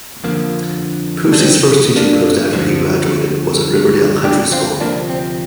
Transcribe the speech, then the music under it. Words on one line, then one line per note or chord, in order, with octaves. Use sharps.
Pusey's first teaching post after he graduated was at Riverdale Country School.
F2 D3 F3 A#3
D4
C4
A#3 D4
D2 D3 F3
D4 G4
C4 F4
D2 C3 F3 A#3 D4
C4